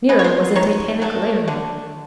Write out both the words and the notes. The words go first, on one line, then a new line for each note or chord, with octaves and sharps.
Nero was a titanic lighterman.
G#3 B3
C#5
C5
D#3 C#5
F#3 A3
D3